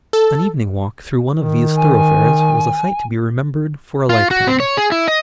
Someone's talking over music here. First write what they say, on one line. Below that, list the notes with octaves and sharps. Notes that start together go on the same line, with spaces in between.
An evening walk through one of these thoroughfares was a sight to be remembered for a lifetime.
A4
D#3
G#5
F4
F#4
C4
C#5
G#4
E4
D#5